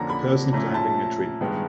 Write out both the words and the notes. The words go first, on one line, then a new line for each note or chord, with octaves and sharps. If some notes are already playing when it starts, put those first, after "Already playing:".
A person climbing a tree.
Already playing: F2 D3 F3 A#3 C#4 A5 A#5
B5
A#2 F3 A3 C#4 A#5
A5
G2 D#3 G#3 B3